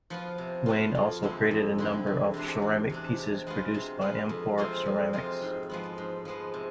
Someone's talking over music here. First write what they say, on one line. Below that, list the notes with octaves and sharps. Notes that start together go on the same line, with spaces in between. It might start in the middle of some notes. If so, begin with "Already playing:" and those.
Wain also created a number of ceramic pieces produced by Amphora Ceramics.
F3 B3 F4
C3
F3 B3 F4
F2
D3 G#3 C4 E4
F2
D3 G#3 C4 E4
E2
C3 G#3 D4
E2
C3 G#3 D4
C3
G#3 B3 F4
C3
G#3 B3 F4
F2
C3 G#3 C4 F4
F2
C3 G#3 C4 F4
G#2
F3 G#3 B3
G#2
F3 G#3 B3
C3